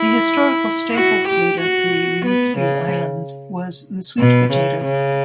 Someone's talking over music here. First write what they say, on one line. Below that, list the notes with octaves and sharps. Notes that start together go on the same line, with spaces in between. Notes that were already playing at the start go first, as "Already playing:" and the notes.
The historical staple food of the Ryukyu Islands was the sweet potato.
Already playing: E4
F#4
G4
F#4
B3
C#3
B2
C#3
C#3